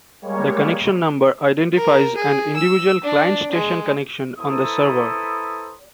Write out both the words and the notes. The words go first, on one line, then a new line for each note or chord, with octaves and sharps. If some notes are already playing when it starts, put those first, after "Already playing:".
The Connection Number identifies an individual client station connection on the server.
G3 G#3 A#3 C#5
A#4
G#4
E6
D4
G#3
E4 A4 B4 C5 A#5 D#6